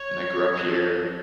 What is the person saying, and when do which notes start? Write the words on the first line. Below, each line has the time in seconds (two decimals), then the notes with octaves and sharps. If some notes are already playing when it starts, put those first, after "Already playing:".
and I grew up here."
Already playing: C#5
0.58 F#4
0.66 G#4
0.72 A4